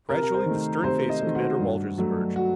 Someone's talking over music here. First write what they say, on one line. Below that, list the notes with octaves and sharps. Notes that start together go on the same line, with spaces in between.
Gradually the stern face of Commander Walters emerged.
C3 A#4
A#4
C5
D#3 A3
C3 C5
D#5
D#3 A3
F#4
G2
F#3 A3
F#4